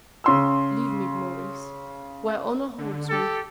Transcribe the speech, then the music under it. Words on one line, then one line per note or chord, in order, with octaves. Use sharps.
Leave me, Maurice, where honor holds me.
C#3 C6 E6
D3
G4 A4